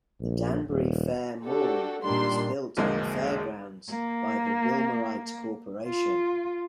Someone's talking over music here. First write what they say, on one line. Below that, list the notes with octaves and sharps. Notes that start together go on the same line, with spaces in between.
The Danbury Fair Mall was built on the fairgrounds by the Wilmorite Corporation.
A#1
D#1
D4 F#4 G4 A4
A#2 D#3 G3 D4 C6
E1 A#1 D3 G#3 A#3
A#3
F4